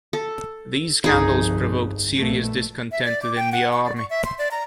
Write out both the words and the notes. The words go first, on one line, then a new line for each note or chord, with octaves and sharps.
These scandals provoked serious discontent within the army.
A4
G1 C2 F2 D#4 G#4
A#1 B2 A3
E5
D5
D6
G5
F#5
C#6
D5
C#6
E5
C6
D5
A#5